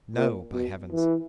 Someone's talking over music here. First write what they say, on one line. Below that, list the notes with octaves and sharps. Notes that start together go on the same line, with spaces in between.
No! by heavens!
A#2
B2
E3